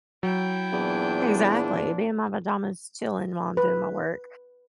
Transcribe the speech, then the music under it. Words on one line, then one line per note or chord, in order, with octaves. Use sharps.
Exactly, me and my pajamas chilling while I'm doing my work
F#3 E4 G5
E2 A#2 C4 D4
B4